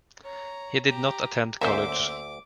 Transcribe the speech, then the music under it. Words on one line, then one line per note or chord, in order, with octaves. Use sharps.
He did not attend college.
C#5 A#5
G4 A#5
D2 A#3 C#4 C5 E5 D6